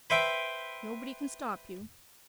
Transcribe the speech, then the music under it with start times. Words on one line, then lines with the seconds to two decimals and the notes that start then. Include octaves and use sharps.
Nobody can stop you.
0.10 B4 C5 E5 G5